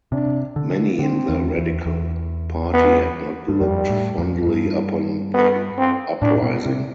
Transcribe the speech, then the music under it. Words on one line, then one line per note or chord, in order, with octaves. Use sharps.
Many in the Radical Party had not looked fondly upon the uprising.
C3 D4
D3
D3 C4
E2
E2
E2
B3
G2
F2 G3
A2
F2
F2
G2
B3
C4
A2 D4
B2
C3